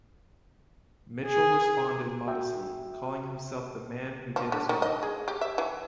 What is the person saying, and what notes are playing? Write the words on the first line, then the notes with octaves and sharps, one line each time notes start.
Mitchell responded modestly, calling himself the man who did his homework.
G#4
F#4 E5 G5
F3
D3
D#3
D#5
G#4
G4
E5
E3